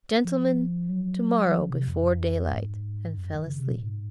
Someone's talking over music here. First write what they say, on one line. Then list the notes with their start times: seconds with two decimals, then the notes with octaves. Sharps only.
"Gentlemen, tomorrow before daylight!" and fell asleep.
0.25 F3
0.89 F#3
1.46 F#3
1.54 F3
1.70 C3
1.88 F2
2.52 G#2
3.17 F#2
3.35 D#3
3.47 C#3
3.59 C3
3.71 A#2
3.82 G#2